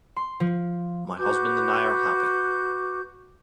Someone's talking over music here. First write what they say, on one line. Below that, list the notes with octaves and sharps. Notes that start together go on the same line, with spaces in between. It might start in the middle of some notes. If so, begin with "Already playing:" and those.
My husband and I are happy.
C6
F3
F#4 B4 D6 G6